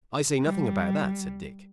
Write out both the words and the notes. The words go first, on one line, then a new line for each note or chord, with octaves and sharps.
"I say nothing about that," said Dick.
G3